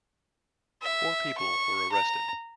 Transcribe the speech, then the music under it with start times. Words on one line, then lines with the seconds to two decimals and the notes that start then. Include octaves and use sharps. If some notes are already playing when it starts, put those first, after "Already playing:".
Four people were arrested.
0.82 E5
1.38 C#6
1.92 A#5